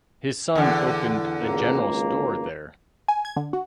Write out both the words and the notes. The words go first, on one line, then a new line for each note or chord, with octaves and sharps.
His son opened a general store there.
E2 D3
G#1 C#2 A#3
G#5
G#6
D3
F#4